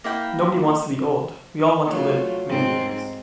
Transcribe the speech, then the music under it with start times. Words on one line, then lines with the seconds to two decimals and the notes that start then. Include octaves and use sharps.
Nobody wants to be old, we all want to live many years.
0.04 A#3 E4 G5
1.86 F#3 A3 F4
2.48 G#2 C4